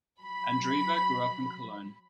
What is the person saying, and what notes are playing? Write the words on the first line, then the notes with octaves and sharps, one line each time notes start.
Andreeva grew up in Cologne.
F#3 B5